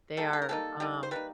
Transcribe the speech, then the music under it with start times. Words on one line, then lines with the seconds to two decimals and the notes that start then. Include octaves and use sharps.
They are, um,
0.17 G3 A#3 D#4 A4
0.33 A4
0.42 A#4
0.49 G3 A#3 D#4 A4
0.80 G3 A#3 D#4
1.03 C5
1.11 G3 A#3 D#4 B4